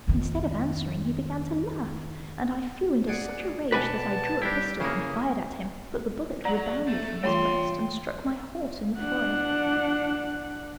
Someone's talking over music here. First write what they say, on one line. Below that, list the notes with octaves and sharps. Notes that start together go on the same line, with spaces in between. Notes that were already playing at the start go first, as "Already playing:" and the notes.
Instead of answering he began to laugh, and I flew into such a rage that I drew a pistol and fired at him; but the bullet rebounded from his breast and struck my horse in the forehead.
F2 D#3
G#4 D5 F#5
B2 B3 B4 D5 G#5 A5
G3 D4 E4 G4
C#3 A#3 C#4 E4 G#4
F#3 D5 A#5 F#7
A3
E3 G3 A3 F4 C#5 G5 A5 C6
D4 F#5